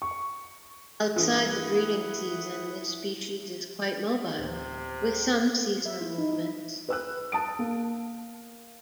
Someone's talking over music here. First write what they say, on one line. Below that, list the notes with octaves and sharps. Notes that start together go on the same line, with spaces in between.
Outside the breeding season, this species is quite mobile, with some seasonal movements.
C#6
G2 E3 E4 F4 G#4 B4 F#5
D1 C3
E5
E4
D#4
E4
B4 E6 F#6
A5 D#6 D7
A#3